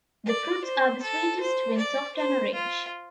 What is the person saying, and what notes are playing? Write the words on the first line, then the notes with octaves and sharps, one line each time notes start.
The fruits are the sweetest when soft and orange.
D5
C5
A4
C5
D5
C5
F4